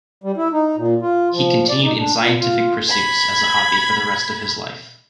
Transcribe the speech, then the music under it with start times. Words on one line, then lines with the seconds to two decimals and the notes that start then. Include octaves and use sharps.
He continued in scientific pursuits as a hobby for the rest of his life.
0.24 G3
0.37 E4
0.53 D#4
0.77 A#2
1.02 F4
1.33 F3
1.69 D5
1.83 D#4
1.98 D4
2.17 A#2
2.40 F4
2.90 B5 G#6